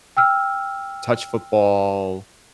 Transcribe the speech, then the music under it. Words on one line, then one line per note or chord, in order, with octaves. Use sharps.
touch football,
G5 E6 F6